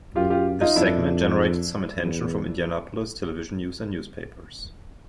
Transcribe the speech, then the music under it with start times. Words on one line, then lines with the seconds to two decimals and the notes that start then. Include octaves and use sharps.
This segment generated some attention from Indianapolis television news and newspapers.
0.16 F#2 F4 G4
0.30 F4 G4
0.61 D#4 F4
0.76 F2 D4 E4
1.98 E2